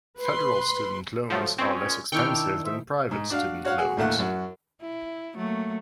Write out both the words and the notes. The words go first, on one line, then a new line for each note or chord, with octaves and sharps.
Federal student loans are less expensive than private student loans.
B4 B5 C6
F3 F#3 A3
A#2 G#3 C4 C#4
D#3 D4 E4 G5 C#6 E6 F6
C5 D#5 E5
G#2
D4 F#4 F5
F#4 C#5 F5 F#5
F#4 G#4
A1 D#2 A3 F#5
F#2 F#4
E4
F#3 A3 A#3